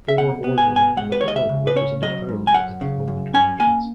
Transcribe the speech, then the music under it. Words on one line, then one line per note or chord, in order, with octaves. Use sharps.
Four oarswomen from the club represented Ireland at the Home Internationals.
E5
B2 F#5
B3
G#5
B2
G#5
G#3 F#5
B4
D#2 C#5
D#5
E5
C#3
B4
C#4 C#5
F#3 D#5
G#2
G#5
F#2 F#5
C#3
F#2
C#4 G#5
A#3 G#5